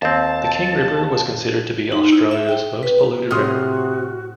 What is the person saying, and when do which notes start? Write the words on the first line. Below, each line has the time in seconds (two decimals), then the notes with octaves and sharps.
The King River was considered to be Australia's most polluted river.
0.02 D#2 C4 A5
1.92 D#4
2.12 E4
2.31 E5
2.49 G5
2.83 B4
3.31 A2 C3 F#4 C6 D#6 F6